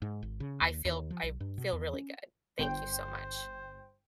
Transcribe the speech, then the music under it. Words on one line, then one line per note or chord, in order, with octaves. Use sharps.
I feel I feel really good. Thank you so much.
G#2
G#1
C#3
D#2
D#2
F3
B1
G2
B2
E2
C#4
G1 C5 G5